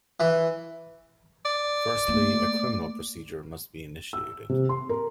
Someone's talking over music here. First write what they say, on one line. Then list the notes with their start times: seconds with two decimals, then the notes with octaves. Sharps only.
Firstly, a criminal procedure must be initiated.
0.20 E3
1.45 D5
2.08 A3 A#3
4.13 E6
4.49 C3
4.69 C6
4.89 A#4